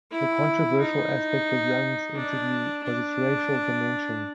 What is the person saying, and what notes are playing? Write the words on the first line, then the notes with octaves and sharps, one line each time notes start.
The controversial aspect of Young's interview was its racial dimension.
E4
D#4
D4
D4